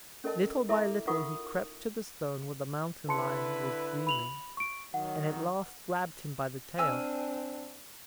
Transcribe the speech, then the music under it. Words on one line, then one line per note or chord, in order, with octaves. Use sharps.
Little by little he crept to the stone where the Mountain-lion was dreaming, and at last grabbed him by the tail.
C#4 A4 A#4 D#5 A5
E4 A4 E5 A#5 D6
D#4 F4 A#4 F#5 C#6 D#6
D3 E4 B4 A5 C6 C#7
B5 F7 F#7
C#6 D7
D#3 F#3 F#5
C4 D4 G#5 E6 F6